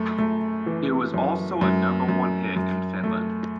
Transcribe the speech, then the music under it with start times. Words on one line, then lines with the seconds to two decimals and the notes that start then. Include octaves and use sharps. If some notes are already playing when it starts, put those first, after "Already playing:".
It was also a number-one hit in Finland.
Already playing: F#2 A3
0.18 A3
0.66 E3
1.14 F#2
1.61 F#2
2.09 F#2
2.56 F#2
3.04 A3